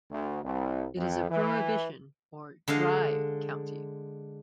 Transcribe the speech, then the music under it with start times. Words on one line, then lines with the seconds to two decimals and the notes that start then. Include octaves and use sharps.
It is a prohibition, or "dry", county.
0.11 D2
0.43 C2
0.97 F2
1.30 E3
2.68 D3 G#3 D4 F5